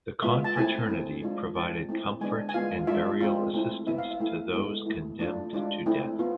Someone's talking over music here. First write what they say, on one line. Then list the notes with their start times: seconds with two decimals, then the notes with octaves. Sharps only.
The confraternity provided comfort and burial assistance to those condemned to death.
0.22 G#3 B3 F4 E5
0.44 A5
0.56 A3 C4 E4 G#5
0.88 A3 C4 E4
1.22 G#3 D4 F4
1.55 G#3 C4 F4 A5
1.89 A3 C4 E4
2.21 G#3 B3 D4 G#5
2.49 G#5
2.54 G#3 B3 F4 F5
2.87 G#3 D4 F4 E5
3.21 G#3 C4 F4
3.54 A3 C4 E4
3.87 B3 E4 E5
3.98 F5
4.11 E5
4.20 A3 E4
4.53 G#3 B3 E4 A4
4.86 A3 E4
5.19 A3 D4 F4
5.53 G#3 D4 F4
5.86 A3 C4 E4
6.19 B3 F4